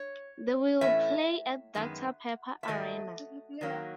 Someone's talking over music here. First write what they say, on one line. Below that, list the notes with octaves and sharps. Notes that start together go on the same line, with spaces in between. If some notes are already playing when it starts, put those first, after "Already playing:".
They will play at Doctor Pepper Arena.
Already playing: C#5
A2 E3 A3 C#4 E5
F#2 D#3 G#3 B3
E5
G#2 D#3 F#3 A3 D#5
D#3 F#3 A#3